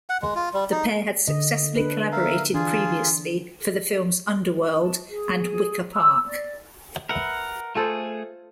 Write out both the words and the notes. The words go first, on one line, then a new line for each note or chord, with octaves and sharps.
The pair had successfully collaborated previously for the films "Underworld" and "Wicker Park".
F#5
G#3
F4
G3
D#4
D3 D#5
D4 B4
A#4 E5 F5
E3 D4 F4 G#4
A5
G#4
E6
D5
A#4 B4 E5 F#5
A3 F4 G#4 A4 C5